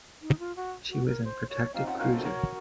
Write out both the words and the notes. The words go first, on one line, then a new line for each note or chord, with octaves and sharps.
She was an protected cruiser.
D#4
F4
F#4
F#4
A#4
C5
C#5
C4 D#4 F5
C#4 F4 F#5
F#4 A#4 F5
A4 C5
F#4 A#4 C#5